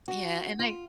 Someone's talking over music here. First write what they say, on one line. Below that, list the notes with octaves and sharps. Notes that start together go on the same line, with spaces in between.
yeah, and I
F#4
F4